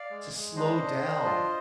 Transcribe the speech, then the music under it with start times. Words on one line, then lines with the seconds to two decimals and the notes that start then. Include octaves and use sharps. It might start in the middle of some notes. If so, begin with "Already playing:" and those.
to slow down
Already playing: D5 F5
0.11 G#3
0.34 G#3
0.56 D4 C5 D#5
0.79 D4
1.02 D4
1.25 F4